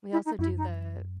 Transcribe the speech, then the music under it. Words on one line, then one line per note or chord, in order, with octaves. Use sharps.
We also do the
E4
D#4
F#2 E4
D#4